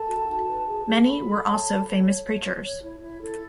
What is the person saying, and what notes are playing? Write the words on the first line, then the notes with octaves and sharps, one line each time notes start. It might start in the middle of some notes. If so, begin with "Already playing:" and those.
Many were also famous preachers.
Already playing: A4 A5
F#4
D#4
B4
G#4
G#4
A4 B5
A4
C#5 A5
A4
C#5
C#5
C#5
C#5
C#5
E4
E4
A4